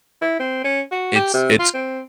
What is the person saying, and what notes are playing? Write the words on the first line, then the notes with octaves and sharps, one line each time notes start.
It's it's
E4
C4
C#4
F#4
G4
C3
F4
C4